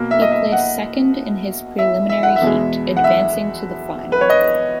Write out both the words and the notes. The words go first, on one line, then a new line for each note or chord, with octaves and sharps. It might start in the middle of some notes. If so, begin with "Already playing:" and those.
He placed second in his preliminary heat, advancing to the final.
Already playing: B2 A#3
E5
D#5
E5
F#5
E5
E5
F#5
E5
E2 B2 G#3
F#5
E5
B4
C#5
D#5